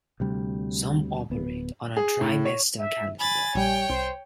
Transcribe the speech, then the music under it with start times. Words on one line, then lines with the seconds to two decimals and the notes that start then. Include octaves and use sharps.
Some operate on a trimester calendar.
0.20 D2 C3 G3
1.30 D1 B3
1.97 G#4
2.21 A2
2.45 C#5
2.78 E5
3.19 G#5 B5 A6
3.55 A#1 G3 C#5 G5
3.90 C2 C5